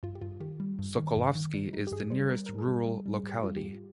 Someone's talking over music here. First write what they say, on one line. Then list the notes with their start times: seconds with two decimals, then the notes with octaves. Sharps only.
Sokolovsky is the nearest rural locality.
0.03 G2 F4
0.15 G4
0.21 G2 F4
0.40 D#3 G4
0.60 G3
0.79 G2
0.98 D#3
1.17 G2
1.35 D#3
1.54 G3
1.73 G3 D#4
1.87 G4
1.92 G2 G#4
2.10 G3 C5
2.29 G3 A#4
2.46 G#2 A#4
2.58 G#4
2.67 G3
2.87 G3
3.06 G3
3.15 G#4
3.24 G#2
3.29 G4
3.43 G3 F4
3.57 G#2 G4